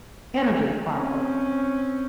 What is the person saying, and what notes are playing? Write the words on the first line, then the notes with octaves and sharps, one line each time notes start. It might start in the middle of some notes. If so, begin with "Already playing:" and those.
energy properly.
C4 C#4